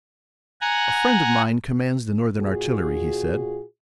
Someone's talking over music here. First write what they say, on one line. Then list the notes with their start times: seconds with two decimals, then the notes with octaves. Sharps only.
"A friend of mine commands the Northern artillery," he said.
0.61 F#5 G#5 A#5
2.38 A#2 F4 F#4 G#4